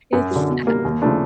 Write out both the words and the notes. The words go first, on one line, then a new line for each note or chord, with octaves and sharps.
it's I
F#2
D3 F#3
B2
G3 A#3
D#2
C#3 F3 A3 D4